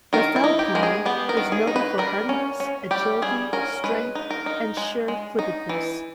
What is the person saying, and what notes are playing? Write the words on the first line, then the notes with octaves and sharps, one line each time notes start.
The Fell pony is noted for hardiness, agility, strength and sure-footedness.
D#3 A#4
E4
D#4
G4
G#3 A#4
G#4
B3 G4
A#4
D#3
G#4
D#4
B4
G3 A#4
C#4
C#4
G3 G4
G3 G#4
C#4 A#4
G#3 B4
D#4
A#4
D#4
G#3
G#3
D#4
E3